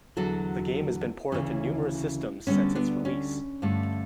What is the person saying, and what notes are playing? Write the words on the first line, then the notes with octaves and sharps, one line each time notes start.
The game has been ported to numerous systems since its release.
E2 D3 F#3 F#4 A4
D2 C#3 E3 C#4
D2 D3 G3 B3 C#4
B3 D4
C#4
G2 D3 A3